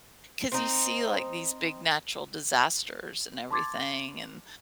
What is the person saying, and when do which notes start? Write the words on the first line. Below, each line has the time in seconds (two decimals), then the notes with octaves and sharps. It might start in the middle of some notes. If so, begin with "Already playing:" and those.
'cause you see, like these big natural disasters and everything and
0.52 C4 D#4
3.51 A5 C6 D6 G#6 A6